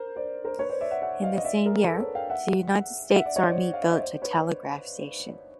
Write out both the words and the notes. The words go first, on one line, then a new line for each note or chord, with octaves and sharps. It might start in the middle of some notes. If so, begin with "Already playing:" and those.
In the same year, the United States Army built a telegraph station.
Already playing: A#4 C5
C5 D5
A#4 C5
B4 C#5
C5 D5
D5 E5
E5 F#5
E5 F#5
D#5 F5
D#5
D5 E5
G#4 A#4
A4 B4
B4 C#5
F5 G5
E5 F#5
E5 F#5
D5 E5
C#5 D#5
C5 D5
F5
E5
D#5
C5 D5
B4 C#5